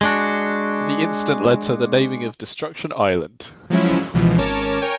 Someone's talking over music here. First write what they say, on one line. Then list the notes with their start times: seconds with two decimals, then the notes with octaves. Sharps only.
The incident led to the naming of Destruction Island.
0.01 G#3 D4 F#4
3.70 F3 F#3 G#3 C#4 E4
4.14 C#2 B2 E3 F3
4.38 G#1 C#4 A#4 C#5 A5 D6
4.81 A#4 C#5 G5 G#5